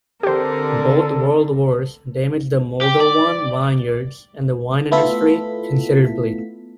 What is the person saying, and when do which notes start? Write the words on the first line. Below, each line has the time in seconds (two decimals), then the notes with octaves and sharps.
Both World Wars damaged the Moldolvan vineyards and the wine industry considerably.
0.23 D3 C4 G4 A4 A#4 C5
2.81 G4
3.00 D5
4.92 A3 B3 E4 F4 A4 B6